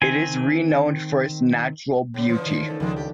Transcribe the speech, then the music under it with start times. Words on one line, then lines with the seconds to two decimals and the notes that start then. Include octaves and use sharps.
It is renowned for its natural beauty.
0.02 D#3 C4 G#5
2.14 A2 C#3
2.28 D3 E3 F3
2.45 D#3
2.67 A3 C#4 A4
2.80 C#2 D#3 F3 G#3 D4
2.96 D4 G4